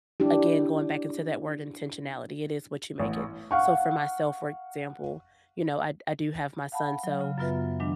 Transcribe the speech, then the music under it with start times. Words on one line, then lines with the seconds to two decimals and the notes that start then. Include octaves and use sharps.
again, going back into that word "intentionality," it is what you make it, so, for myself, for example, you know, I d I do have my son, so,
0.20 D4 E4 G4
2.99 A1
3.51 F5 F#5 C#6
6.72 F5 F#5 A5 B5
7.04 F#3 F5
7.21 C#3
7.38 F#2 F#3 B3 F4 B4 E5
7.80 D#3 F#3 G#3 D4